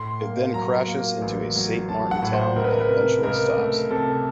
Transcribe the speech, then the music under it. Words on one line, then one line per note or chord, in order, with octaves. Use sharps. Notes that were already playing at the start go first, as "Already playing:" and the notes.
It then crashes into a Saint Martin town and eventually stops.
Already playing: A2 C6
A#3
F#3 A#5
A#3
A1
F#3
F#3 A5
F#5
A2
C5
C#2 A#4
B4
A#4
B4
C3 A#4
C#2 A#4
A3
C3 A4